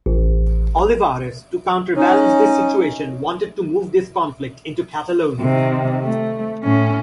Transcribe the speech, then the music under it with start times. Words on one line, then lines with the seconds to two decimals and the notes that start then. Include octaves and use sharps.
Olivares, to counterbalance this situation, wanted to move the conflict into Catalonia.
0.06 A1
1.97 C#4 D#4
5.40 C3 D#3
6.04 A3
6.63 A2 C#4